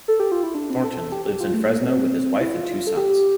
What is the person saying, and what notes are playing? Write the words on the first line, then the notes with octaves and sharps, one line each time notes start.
Thornton lives in Fresno with his wife and two sons.
A4
G4
F4
E4
D4
C4
A4
A4
G4
G4
F4
A3
A#3
C4
E4
F4
A4
G4